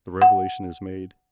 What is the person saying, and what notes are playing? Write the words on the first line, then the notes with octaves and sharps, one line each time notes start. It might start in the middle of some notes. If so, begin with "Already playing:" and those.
The revelation is made.
F#5